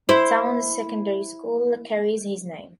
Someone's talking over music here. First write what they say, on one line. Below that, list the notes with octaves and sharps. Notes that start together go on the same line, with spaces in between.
The town's secondary school carries his name.
E4 C5